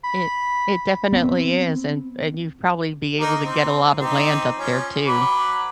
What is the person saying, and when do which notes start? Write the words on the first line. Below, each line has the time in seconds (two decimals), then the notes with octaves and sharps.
It it definitely is, and and you've probably be able to get a lotta land up there too.
0.04 B5
1.13 B3 C4
3.20 A#3 D#4 A#4
3.43 C4
4.00 C4 D#4 G4
4.58 F3 C#4
5.07 F#3 B4 D6